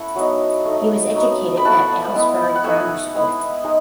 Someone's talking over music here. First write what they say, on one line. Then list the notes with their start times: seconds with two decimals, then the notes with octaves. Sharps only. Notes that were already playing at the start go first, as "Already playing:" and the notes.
He was educated at Aylesbury Grammar School.
Already playing: A3 C#4 E4 E5 F#5 A5 B5 C#6
0.15 F#3 B3 D#4
0.65 A3 D#4
1.14 F#3 B3 D#4
1.57 B5
1.65 A3 E4 F#5 A5
2.14 G#3 B3 E4
2.55 F#5
2.64 A3 D#4 E5 G#5
3.14 G#3 B3 E4
3.64 G#3 D#4